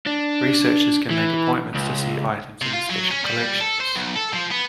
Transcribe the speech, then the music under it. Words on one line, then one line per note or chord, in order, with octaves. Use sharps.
Researchers can make appointments to see items in the special collections.
D4
E3
C#2
C3
F4
F#3
C#4
G3
A4
C5
B1
A4
F3
B3